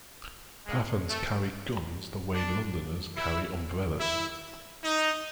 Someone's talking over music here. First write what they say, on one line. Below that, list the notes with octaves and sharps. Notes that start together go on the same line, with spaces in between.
Pathans carry guns the way Londoners carry umbrellas.
G#3
A3
D4
E4
E4
D#4